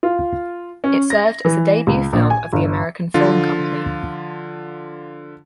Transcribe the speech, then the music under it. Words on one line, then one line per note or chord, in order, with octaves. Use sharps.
It served as the debut film of The American Film Company.
F4
C#4
A#6
E3
C#2
A#1
G#5
G1
D3 F3 F4